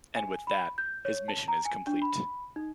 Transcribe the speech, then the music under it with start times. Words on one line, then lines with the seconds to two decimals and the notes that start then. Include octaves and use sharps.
And with that, his mission is complete.
0.16 G#5
0.47 B5
0.78 G6
1.05 C#5
1.28 A5
1.48 A#5
1.65 G#5
1.87 D4
2.02 B5
2.56 D#4